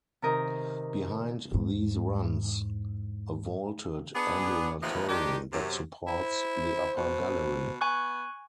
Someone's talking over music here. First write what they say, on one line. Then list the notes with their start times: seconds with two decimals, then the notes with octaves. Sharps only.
Behind these runs a vaulted ambulatory that supports the upper gallery.
0.22 C3 D#3 A#4 D#5
1.51 E2 G#2
4.15 B3 D4 G#4
4.82 D#2 A2 E3 F3 B3 D#5
5.08 G#2 D#3 D4 G4
5.52 F#2 C3
6.07 E4 C5
6.97 B2
7.81 B3 G#5 C#6 F#6